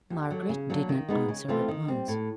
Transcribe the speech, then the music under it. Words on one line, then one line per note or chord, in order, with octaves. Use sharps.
Margaret did not answer at once.
D#2
D3 F#3
C#3
F#3 A#3 D4
D#3
G#3 B3 D#4
C#3
E3 A3 C4 F4
D#3
G3 C4
A2